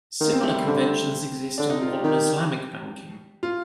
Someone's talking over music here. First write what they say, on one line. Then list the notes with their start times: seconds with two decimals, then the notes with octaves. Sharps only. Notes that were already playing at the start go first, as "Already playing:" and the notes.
Similar conventions exist in modern Islamic banking.
0.20 D#3 A#3
0.32 C4
0.44 A3
0.55 G3
0.66 D3 C4
1.58 D3 D4
1.70 D#4
1.82 F4
1.92 G4
2.04 D#3 G4
3.43 F4